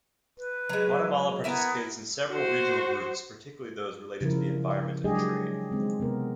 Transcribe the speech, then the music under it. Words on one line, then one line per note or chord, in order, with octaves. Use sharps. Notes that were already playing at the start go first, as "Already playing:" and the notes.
Guatemala participates in several regional groups, particularly those related to the environment and trade.
B4
F#3 G#3
B3 E4 A#4 G#5
F#4 C5
C#3 F3 G3 E4 A#4
F#3 G#3 D4 G4 G#4 D#5
D#3 G#3 C4
C3 B3 A#4